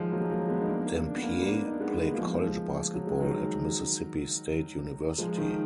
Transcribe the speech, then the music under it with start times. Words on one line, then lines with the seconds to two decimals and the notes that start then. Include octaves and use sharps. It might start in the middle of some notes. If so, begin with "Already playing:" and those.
Dampier played college basketball at Mississippi State University.
Already playing: D#3 F3 F#3 G#3
0.12 F#3 A#3
0.21 G#3
0.31 F#3 A#3
0.49 G#3 B3
0.61 D#4
0.67 A#3 D4
1.06 D4
1.14 B3
1.22 A#3 D4
1.43 A#3 D4
1.65 D#4
1.73 D4
1.80 G#3 B3
2.13 A#3
2.18 F3 G#3
2.94 F#3
3.07 G#3
3.20 D#3 F#3
5.18 F3 G#3
5.38 D#3